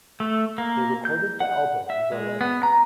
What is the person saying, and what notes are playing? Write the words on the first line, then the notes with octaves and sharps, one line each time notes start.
They recorded the album in Berlin.
A3
A#3
G6
F#5
E5
G#3
B3
A#5